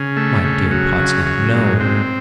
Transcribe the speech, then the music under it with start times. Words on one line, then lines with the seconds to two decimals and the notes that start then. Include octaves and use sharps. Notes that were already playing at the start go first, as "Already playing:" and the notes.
'My dear Podsnap, no.
Already playing: C#3
0.17 A3
0.44 C#3
0.71 F#3
0.99 C#3
1.26 F#3
1.54 G#2
1.80 C4